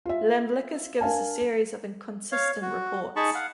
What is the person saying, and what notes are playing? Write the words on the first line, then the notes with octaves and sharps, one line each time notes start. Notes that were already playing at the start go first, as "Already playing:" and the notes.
Iamblichus gives a series of inconsistent reports.
F4 E5
D4 A#4 F5 G#5 A5
C#5 F5
F#4
D#4 G#4 A5 B5 C#6
F5 F#5